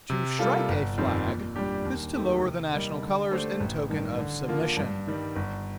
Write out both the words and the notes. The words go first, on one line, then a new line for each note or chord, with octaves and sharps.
To "strike a flag" is to lower the national colors in token of submission.
C3
G3 A#3 F4 A4
G1
F2 D#3 G3 C4
A#2
G3 D4 G4
D#2
D#3 A3 C4 G4
C3
G3 A#3 D#4
D3
A3 D4 G4 C5
A1
G2 D#3
D3
F3 A#3 F4
G2
D#3 G3
G1